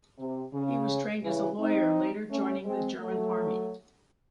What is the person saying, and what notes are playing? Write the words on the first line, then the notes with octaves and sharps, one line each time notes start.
He was trained as a lawyer, later joining the German Army.
C3
C#3
C#3 E3
C4 D#4
A3 C#4
G#3 C4
F#3 A3